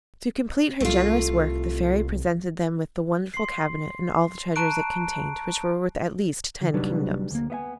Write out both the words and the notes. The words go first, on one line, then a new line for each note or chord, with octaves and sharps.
To complete her generous work the Fairy presented them with the wonderful cabinet and all the treasures it contained, which were worth at least ten kingdoms.
C2 A3 F4
C6 C7
A5 A#5 C#6 F#6 D7
D3 E3
C3 F#3 G3 D4 D#4 B4
D2 A#3
B3 E5 G#5